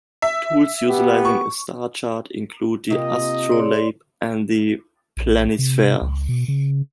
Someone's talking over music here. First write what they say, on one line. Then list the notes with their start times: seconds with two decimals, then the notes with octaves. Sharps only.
Tools utilizing a star chart include the astrolabe and the planisphere.
0.22 E5
0.87 B3 G4
1.25 C#6
2.90 C3 A#3 F4 D#5
3.52 G#4 C#5 D5 C6
5.17 A#1
5.59 C3
6.02 C#2
6.29 B2
6.48 C#3